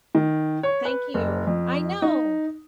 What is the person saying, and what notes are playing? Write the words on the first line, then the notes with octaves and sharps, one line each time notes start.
Thank you, I know,
D#3
C#5
B4
F#1
F2
D#4